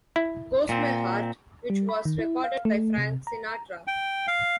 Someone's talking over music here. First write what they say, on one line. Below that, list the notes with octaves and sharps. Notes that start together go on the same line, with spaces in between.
Goes My Heart, which was recorded by Frank Sinatra.
E4
A#2 C4
G3
B5
D#3
E4
F5
A3
C3
A#5
G5
F5